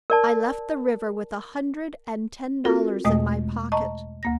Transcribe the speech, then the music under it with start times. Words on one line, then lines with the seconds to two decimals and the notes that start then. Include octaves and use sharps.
I left the river with a hundred and ten dollars in my pocket.
0.10 A#4 D5 A5
2.65 C4 F4 F#4 A4 A#4
3.05 E2 B2 G#3 A3 D#5 D#6
3.72 D#5 A5 A#5 C#6
4.23 D2 A#3 A#6